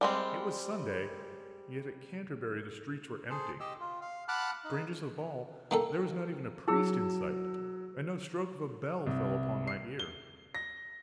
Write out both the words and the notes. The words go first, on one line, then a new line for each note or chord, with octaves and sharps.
It was Sunday; yet at Canterbury the streets were empty; strangest of all, there was not even a priest in sight, and no stroke of a bell fell upon my ear.
G3 G#3 C4
G#4 A4 C5
G4 D#5 E6
F4
F5
F#5 A5 B5 D6 F6 F#6
D#4
D#3 A#3 A4
F#3 E4 G#4 E6
C2
C7
G7
A#6